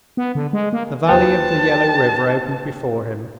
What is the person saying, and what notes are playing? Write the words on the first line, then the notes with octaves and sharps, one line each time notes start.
The valley of the Yellow River opened before him.
B3
D3
G#3
A#3
D#2 F4 B4 C5 G5 A5